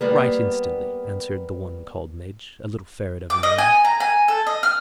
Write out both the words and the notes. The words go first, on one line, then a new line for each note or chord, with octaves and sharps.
"Right instantly," answered the one called Midge, a little ferret of a man.
G3 A#3 B3
D6
D#5
G#5
A#5
G#5
A4
D#5
F6